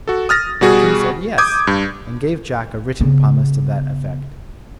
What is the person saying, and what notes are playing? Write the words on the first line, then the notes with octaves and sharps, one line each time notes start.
The King said 'Yes,' and gave Jack a written promise to that effect.
F#4 A4
D#6 F6 A6 A#6
B2 G3 F#4 G#4
D6 D#6 G6 G#6
G2
C#3 B3